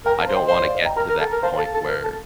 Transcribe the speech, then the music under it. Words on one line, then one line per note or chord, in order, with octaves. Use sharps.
I don't wanna get to that point where"
A#4 G5 A#5
F5 A5
C5
D#5 G5
C5 D5 F5
D5 F5
C5 D#5
G5 A#5
A#4 G5 A#5
A#4
A4
A#4
C5 F5 A5
A4
A4
A#4
A4